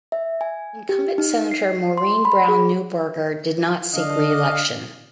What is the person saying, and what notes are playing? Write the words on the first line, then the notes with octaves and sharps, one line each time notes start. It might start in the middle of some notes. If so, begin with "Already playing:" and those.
Incumbent Senator Maurine Brown Neuberger did not seek re-election.
E5
G#5
G4
D#4
C7
C6
B5
G#4
D3 D4 D#5 F5